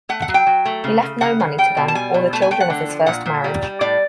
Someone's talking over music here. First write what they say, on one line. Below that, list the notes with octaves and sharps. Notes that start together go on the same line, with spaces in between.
He left no money to them or the children of his first marriage.
A3 F#5
F#5
F#3
G5
F#3
A3
C#3
C#3
C#3 F#5
C#3
G3 G5
B2
A5
G3 G#5
B2
A3 A5
G#5
A3 G5
F#5
D3
F3
A#2 F#5
A#2
G3
G3
A2 D5